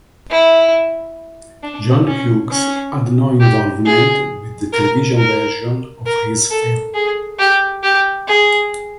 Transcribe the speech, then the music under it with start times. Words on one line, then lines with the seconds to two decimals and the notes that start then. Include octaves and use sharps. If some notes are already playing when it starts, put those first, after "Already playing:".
John Hughes had no involvement with the television version of his film.
0.30 E4
1.63 D4
2.07 C#4
2.51 C#4
3.40 G4
3.85 G#4
4.73 A#4
5.17 A#4
6.06 A#4
6.51 A4
6.94 G#4
7.39 G4
7.83 G4
8.27 G#4